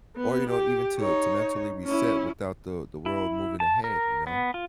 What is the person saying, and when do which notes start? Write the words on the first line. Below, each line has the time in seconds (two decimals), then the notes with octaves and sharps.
or, you know, even to to mentally reset without the the world moving ahead, you know?
0.16 B3
0.50 G4
0.99 D#4 C#5
1.85 C#4 E4
3.06 E4
3.60 A5
3.84 A#4
4.27 B3
4.54 F4